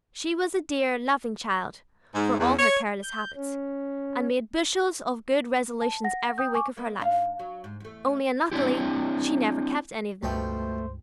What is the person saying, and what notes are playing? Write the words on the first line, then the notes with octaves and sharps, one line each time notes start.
She was a dear, loving child, for all her careless habits, and made bushels of good resolutions every week of her life, only unluckily she never kept any of them.
G#2
E2
C#5
G6
C#4
A5
F#5 A#6
G5 D#6 G6
G#5 C#6 D6
A#3 B3 D#4
G#2 D4 F5
F#3
G#2
E2 A3
C4 D4 E4 G4
C#2 G2 B2 F3 A3 C5 G5